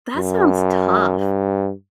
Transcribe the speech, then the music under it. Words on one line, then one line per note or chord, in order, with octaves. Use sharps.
That sounds tough.
F#2
G2